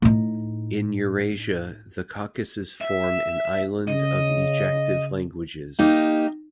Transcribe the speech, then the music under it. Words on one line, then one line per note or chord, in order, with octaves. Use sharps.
In Eurasia, the Caucasus forms an island of ejective languages.
A2 D#4
E5
C#3 D#5
A#3 D#4 G4